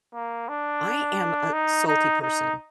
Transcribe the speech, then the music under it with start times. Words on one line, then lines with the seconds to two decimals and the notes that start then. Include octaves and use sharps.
I am a salty person,
0.14 A#3
0.49 D4
1.53 D#4
1.88 D#4
2.23 D#4